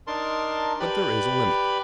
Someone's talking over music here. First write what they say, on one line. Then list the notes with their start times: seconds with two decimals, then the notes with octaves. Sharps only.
But there is a limit.
0.07 D4 D#4 A#4 A5 C6
0.80 G4 B4 D5 B5